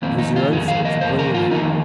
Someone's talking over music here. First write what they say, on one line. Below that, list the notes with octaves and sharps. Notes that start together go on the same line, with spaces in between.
It was your own fault for bringing her.
F2 D#3 A#3 C4
D#4
F4
F2 D#3 A#3 G#4
F5
D#5
F2 D#3 A#3 C5
A#4
F4
F2 D#3 A#3 D#4